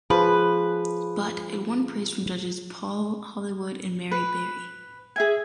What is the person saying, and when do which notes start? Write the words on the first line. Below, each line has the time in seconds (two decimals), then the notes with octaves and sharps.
But, it won praise from judges Paul Hollywood and Mary Berry.
0.10 F3 G#4 B4
4.11 B4
5.16 G#4 E5 G#5